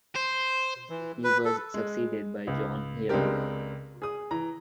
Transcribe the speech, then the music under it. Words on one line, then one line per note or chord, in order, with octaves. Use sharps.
He was succeeded by John Healey.
C5
E3
B4
A4
G#3
C#2
C#2 G#3 C4 D4 G4 A#4
G#4 D#6
E3 A#5